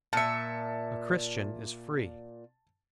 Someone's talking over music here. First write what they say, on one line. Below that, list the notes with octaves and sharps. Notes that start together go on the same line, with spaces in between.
A Christian is free.
A#2 E5 A5 C#7